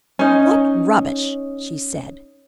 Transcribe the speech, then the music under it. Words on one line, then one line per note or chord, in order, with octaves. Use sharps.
"What rubbish!" she said.
C#4 D#4